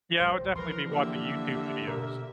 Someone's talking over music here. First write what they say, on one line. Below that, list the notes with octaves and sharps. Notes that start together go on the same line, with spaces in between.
Yeah, I would definitely be watching YouTube videos.
D#1 A#1 G3 C5
E3 F3 A#4 B4 C6
D3 A#3 G4 E5
B2 A#4